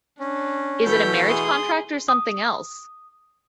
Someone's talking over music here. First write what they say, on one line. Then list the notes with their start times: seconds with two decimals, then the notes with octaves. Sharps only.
Is it a marriage contract or something else?
0.19 C#4 D4
0.86 B2 E3 A3 G6 B6
1.29 G#4 C6 D#6
2.08 D#6